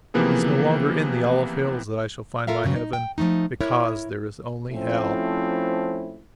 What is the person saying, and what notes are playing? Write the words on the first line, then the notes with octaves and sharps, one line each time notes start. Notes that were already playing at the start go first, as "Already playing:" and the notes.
It is no longer in the olive hills that I shall find my Heaven; because there is only Hell... .
C3 E3 F3 A#3 B3 G#4
F4 A4 A#4 E5 F5
G2 A#2 C#3 F#3
D#4
G5
F3 F#3 A3 D#4
E4 A#4 C#5
F3 A3 C4 C#4 E4